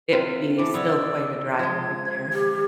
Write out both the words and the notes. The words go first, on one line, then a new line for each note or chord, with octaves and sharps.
it would be still quite a drive from there.
C3 F4 B4
E3 A5 D6
B3 C#5 D5 E6
F3 G#3 G#6
G4